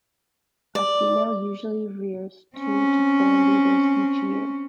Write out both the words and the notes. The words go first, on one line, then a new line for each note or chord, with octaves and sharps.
A female usually rears two to four litters each year.
D5
C4 C#4